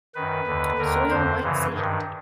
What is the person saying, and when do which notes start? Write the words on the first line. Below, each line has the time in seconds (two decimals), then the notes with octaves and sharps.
Soil white sand.
0.15 F#2 D#3 B4
0.47 D#2 D3
0.78 D#2 D3 A#4
1.10 F2 D3 C5
1.41 F#2 C#3 E3
1.73 G2 D#3